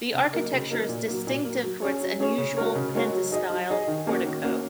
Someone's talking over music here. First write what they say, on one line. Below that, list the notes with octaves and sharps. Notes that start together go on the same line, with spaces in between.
The architecture is distinctive for "its unusual pentastyle portico".
C#3
F#3 A#3 D#4 A#4
C#3
F#3 A#3 D#4 A#4
A#2
F#3 A#3
A#2
F#3 A#3
F#3
C#4 G#4 C#5
F#3
C#4 G#4 C#5
C#3
G#3 F#4 A#4 C#5
C#3
G#3 F#4 A#4 C#5
F#3
D#4 G#4 D#5
F#3
D#4 G#4 D#5
D#3
A#3 C#4 F#4
D#3
A#3 C#4 F#4